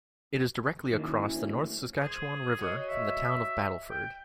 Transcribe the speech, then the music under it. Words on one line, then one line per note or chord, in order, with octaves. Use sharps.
It is directly across the North Saskatchewan River from the Town of Battleford.
D#3 F#3 A3 A#3 C#4 E4
D2
G#4 C5
F#4 C#5 D#5
E5
G5